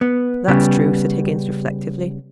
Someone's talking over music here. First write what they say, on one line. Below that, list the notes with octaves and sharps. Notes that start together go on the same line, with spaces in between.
'That's true,' said Higgins, reflectively.
B3
C#3 G3 B3